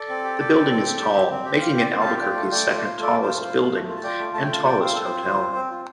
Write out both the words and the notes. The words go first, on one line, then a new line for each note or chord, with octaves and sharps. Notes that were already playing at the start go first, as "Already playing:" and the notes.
The building is tall, making it Albuquerque's second tallest building and tallest hotel.
Already playing: A4 D5
C4
G4
G4
C4
C4
G4
G4
C4
C4
G4
G4 C5 F5
C4 D5 F5 G5
C4
F5 A5
G4
F4 D5 G5
A3
A3 D5 G5
F4
D5
F4 C5
A3 A4 D5
A3
F4 C5 F5
F4
A3
A3
F4
A5
F4 D5 G5
A3
A3 A5
G5
F4 F5 A5
F4 D5 G5
C4
C5 F5
C4 A4
F4 C5
F4
C4
C4
F4